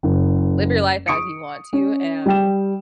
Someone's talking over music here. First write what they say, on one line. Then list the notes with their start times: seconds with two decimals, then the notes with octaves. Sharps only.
live your life as you want to and
0.03 F#1
1.07 C#6 D#6 C#7 D7
1.73 C#4
2.26 G3 G5 E7